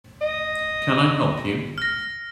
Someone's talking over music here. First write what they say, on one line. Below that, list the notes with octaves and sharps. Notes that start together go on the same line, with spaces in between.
Can I help you?
D#5
F6 A#6